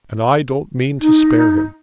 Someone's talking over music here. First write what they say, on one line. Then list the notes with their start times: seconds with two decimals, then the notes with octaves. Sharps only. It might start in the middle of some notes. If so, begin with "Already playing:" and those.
"And I don't mean to spare him."
1.01 D#4